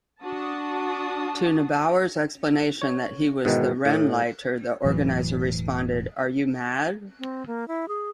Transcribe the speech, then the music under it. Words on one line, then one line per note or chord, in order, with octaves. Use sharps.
To Neubauer's explanation that he was the "Rennleiter", the organizer responded: 'Are you mad?
D4 F#4 A5 D#6
C#5
G#2 B2 D#3 E3
A2
E1 A2 E3 F#3
C4
A#3
E4
G#4